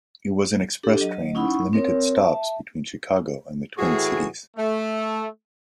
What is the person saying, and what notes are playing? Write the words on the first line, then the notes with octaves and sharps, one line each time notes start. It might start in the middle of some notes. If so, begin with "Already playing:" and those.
It was an express train with limited stops between Chicago and the Twin Cities.
D4 G4 A4
F#3 D#5
C#4 D#4 E4 F#5 B5 C#6
C4 A#4 C#5
E5 A5
A2 E3 F#4 G#4
A3